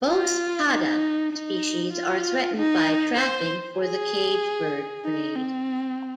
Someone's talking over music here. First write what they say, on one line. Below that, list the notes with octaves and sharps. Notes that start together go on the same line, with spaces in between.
Both "Padda" species are threatened by trapping for the cage bird trade.
F4
D#4
D#4
F4
D#4
C5
G#4
D#4
C4